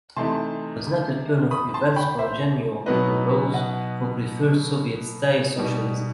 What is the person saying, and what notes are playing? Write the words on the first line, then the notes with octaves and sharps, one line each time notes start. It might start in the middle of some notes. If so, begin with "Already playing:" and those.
It was not a turn of events congenial to those who preferred Soviet-style socialism.
C3 E3 A3 D#4 A5 C6
B5 D#6
A5 C6
G5 B5
C5 E5
B2 F#3 B3 D#4 B4 D#5
D#5 F#5
B2 G3 D#4